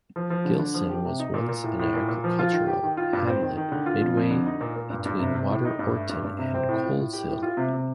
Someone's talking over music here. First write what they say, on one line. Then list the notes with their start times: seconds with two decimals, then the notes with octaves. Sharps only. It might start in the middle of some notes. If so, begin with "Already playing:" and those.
Gilson was once an agricultural hamlet midway between Water Orton and Coleshill.
0.16 F3
0.30 F3
0.45 D3
0.60 D3
0.74 F3
0.90 G4
1.05 C3
1.19 D#4
1.34 A#2
1.49 A#2
1.64 A2
1.79 A2
1.94 A#2
2.09 A#2
2.24 F3
2.39 F4
2.52 D#3
2.68 G4
2.83 D#3
2.97 F4
3.13 G2
3.27 C4
3.42 D#3
3.57 D#3
3.72 D3
3.86 F4
4.01 F2
4.17 F2
4.31 D3
4.46 D#4
4.61 A#2
4.76 A#2
4.90 G2
5.06 G2
5.20 C3
5.34 C3
5.50 A2
5.65 D#4
5.79 G2
5.95 A3
6.09 G2
6.24 G2
6.39 C3
6.54 C4
6.69 A2
6.84 F4
6.99 A2
7.13 G4
7.29 A2
7.43 F4
7.57 C3
7.73 C3